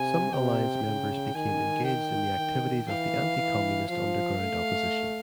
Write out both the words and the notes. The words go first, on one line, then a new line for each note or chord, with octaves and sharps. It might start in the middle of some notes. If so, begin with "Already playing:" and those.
Some Alliance members became engaged in the activities of the anti-Communist underground opposition.
Already playing: C3 G#5
C3 G5
C#3
D#3 G#5
G5
D#3
E3 F5
E3
F3 F5
A3